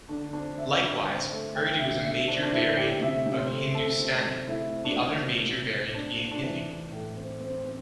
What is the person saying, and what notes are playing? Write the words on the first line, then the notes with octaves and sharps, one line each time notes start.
Likewise, Urdu is a major variant of Hindustani, the other major variant being Hindi.
D3 D4
C4 D4
C4 E5
D3
C4
A3
D3 G5
D3 E5
D3 E5
C4 D4
D4
D3 E4
D3 G4
C3 E5
C3
C5
A3
C4 A4
C3
C3
A3 E4
C4
D4
C3
C3
C3
C4
C4 D4
C4
D4
E3
E3
A2
C4
C4
C4